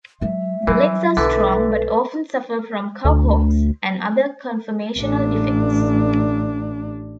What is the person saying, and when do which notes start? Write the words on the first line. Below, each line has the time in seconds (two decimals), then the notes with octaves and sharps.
The legs are strong, but often suffer from cow hocks and other conformational defects.
0.21 F#3 G#3 E5
0.67 E3 F#3 G3 C4
1.17 B1 D3 E3 A4 B4
3.05 D2
4.98 A1 D4